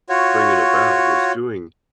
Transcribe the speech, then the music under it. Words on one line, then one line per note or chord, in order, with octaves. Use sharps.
bringing about, is doing
F4 F#4 C#5